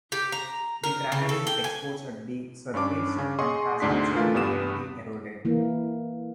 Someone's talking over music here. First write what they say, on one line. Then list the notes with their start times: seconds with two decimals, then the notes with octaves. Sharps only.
The crater is exposed at the surface, and has been significantly eroded.
0.12 G4
0.32 A#5
0.84 A#4
1.12 C#3
1.29 A4
1.47 G5
1.64 G#5
2.74 G2 C#4 D4 D6
3.17 C#3 C#4
3.38 G#4 D#5 C6 C#6 D#6
3.80 D2 G#2 D4 C6 B6
4.15 E3 A3 F4 A#4
4.34 E2 G2 B3 G4 D#6 E7
5.45 E3 A#3